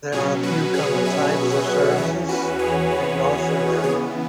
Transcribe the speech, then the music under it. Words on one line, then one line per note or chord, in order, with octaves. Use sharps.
There are a few common types of services in North America.
B2 F#3 C#4 G#4 C#5
F#4 B4
G#4 C#5
B4 E5
C#5 F#5
E2 E3 C#4 B4 E5
F#4 B4
G#4 C#5
F#4 B4
G#4
C#3 E3 B3 G#4 C#5